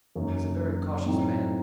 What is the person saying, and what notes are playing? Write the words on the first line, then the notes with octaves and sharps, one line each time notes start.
He's a very cautious man.
F#2 F#3 A#3 D#4
A2 F#3 C4 D#4